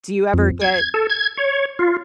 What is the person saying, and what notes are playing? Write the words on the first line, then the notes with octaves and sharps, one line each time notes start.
Do you ever get,
F2
G#6
A4
G#6
C#5
F4